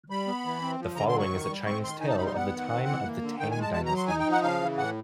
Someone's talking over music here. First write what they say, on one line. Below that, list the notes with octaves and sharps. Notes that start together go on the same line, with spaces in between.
The following is a Chinese tale of the time of the Tang dynasty.
G3 B5
B3
E3
C4
F3
D3 A#5
C6
F#3
C#6
D#3
G3
C4 C#6
D#3 C6
D#4 G#5
A5
G3 B5
C6
B3 F#5
D#3
C4
E3
A#3
D3
D#3 G5
G#5
G#3
A5
B2 A5
A#5
F#3
C6
D#4 G#5
G5
F3
F#5
C#3 F5
E3
A2 F#5